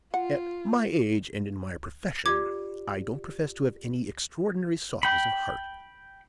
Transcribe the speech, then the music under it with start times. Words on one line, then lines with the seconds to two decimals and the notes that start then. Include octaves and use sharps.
At my age and in my profession, I don't profess to have any extraordinary softness of heart.
0.14 F4 F#5
2.26 F4 G4 D5 D6 G#6
5.03 G5 B5